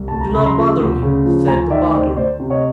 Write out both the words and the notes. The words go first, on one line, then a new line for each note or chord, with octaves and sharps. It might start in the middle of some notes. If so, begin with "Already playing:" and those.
"Do not bother me," said the potter.
Already playing: C2
D2 A5
A#5
C#3 B5
A#5 C6
F3
D2
C#3
F3
D2 G#5 A#5
D#3 D5 E5
D2 C5 D5
D2 C5 D5
C3
C#5 D#5